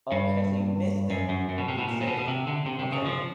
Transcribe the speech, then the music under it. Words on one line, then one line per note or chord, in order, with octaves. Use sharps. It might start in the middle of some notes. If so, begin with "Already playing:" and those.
Okay, so you missed them, you would say, okay.
G2
F#2
F#2
F#2
B2
C3
B2
A#2
A#2
B2
B2
C3
D3
C3
C3
C#3
F3